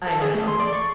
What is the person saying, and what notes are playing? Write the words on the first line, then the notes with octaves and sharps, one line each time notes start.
I know.
A4
G#4
A3
C6
D5
C#6